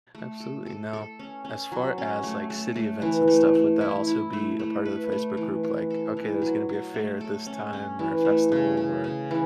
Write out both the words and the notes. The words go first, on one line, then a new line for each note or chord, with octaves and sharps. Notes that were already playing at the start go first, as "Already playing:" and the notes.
absolutely. Now, as far as, like, city events and stuff, would that also be a part of the Facebook group? Like, "Okay, there's gonna be a fair at this time or a festival or
A3
A4
A4
A4
C#4
C#4
F#3
C#4
A3
A3
A3
E3
A3
A3
E4
E4
A3
A3
B4
A3
E3
E3
A4
E3
F#3
F#3
A3
A4
C#4
C#4
E3
A3
C#3
C#3
C#3
E3